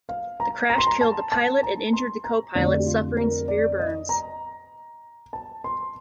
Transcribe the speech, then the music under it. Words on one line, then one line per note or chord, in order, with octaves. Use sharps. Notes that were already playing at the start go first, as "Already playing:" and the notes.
The crash killed the pilot and injured the co-pilot, suffering severe burns.
F5
A#5
A#5
C6
A#5
A5
A5
A#5
C6
A#5
F2 D3 A3 C4 D5
G4
F4
A#4
D5
D#5
A#5
A5
C6